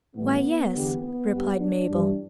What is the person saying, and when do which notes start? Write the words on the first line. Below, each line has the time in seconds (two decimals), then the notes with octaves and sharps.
"Why, yes," replied Mabel.
0.15 A2 E3 G3 B3
0.73 E2 D3 G3
1.02 B3
1.32 G2 G3
1.59 D4
1.89 G2 E3 G3